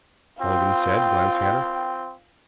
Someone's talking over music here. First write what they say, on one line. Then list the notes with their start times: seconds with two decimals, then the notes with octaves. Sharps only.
Mulligan said, glancing at her.
0.42 C4 F4 G5